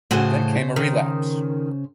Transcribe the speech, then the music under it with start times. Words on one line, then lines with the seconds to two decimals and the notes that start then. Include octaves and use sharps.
Then came a relapse.
0.11 A2 C#3 F#4 G#4 C5
0.76 D#3